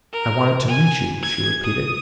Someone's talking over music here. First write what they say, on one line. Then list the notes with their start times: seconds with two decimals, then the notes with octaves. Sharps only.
"I wanted to meet you," she repeated.
0.13 A#4
0.68 G#5
1.22 G#6
1.64 D#6